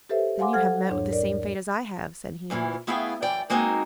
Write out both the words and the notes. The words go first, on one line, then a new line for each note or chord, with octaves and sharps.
'Then you have met with the same fate as I have,' said he.
G4 A4 B4 C5 E5
F5 F#5 G#5 C6 D6
F#3 A4 C5 F#5 F6 G#6
E2 G#2 D4 C#5
A#4 D5
D2 A#2 D3 E3
A3 B3 E4 G#4 F5 G5
F#2 E3 D5 G5
G#3 A#3 C4 D#4 F#4 G#5